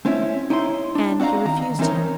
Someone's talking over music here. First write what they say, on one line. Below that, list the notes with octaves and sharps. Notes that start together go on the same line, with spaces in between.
'And you refused him?'
A3 C4 C#4 E4 E5
D#4 E4 C#5 G#5 C6
D4
C4 F#4 D5 F5 A#5
D#3 A#5
E3 C4 C#4 D#4 A#4 C#5